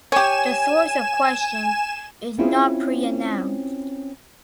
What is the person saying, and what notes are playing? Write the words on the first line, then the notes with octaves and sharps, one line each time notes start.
The source of questions is not pre-announced.
G4 C#5 G#5 E7
C4 C#4 E4 F4 G#4 C5